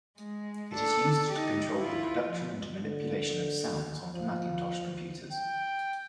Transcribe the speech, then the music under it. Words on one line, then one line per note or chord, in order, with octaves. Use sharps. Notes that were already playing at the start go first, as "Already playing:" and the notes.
It is used to control the production and manipulation of sounds on Macintosh computers.
G#3
D4 A4
D#4 G4
E4 F4
F3
D3
F3
G5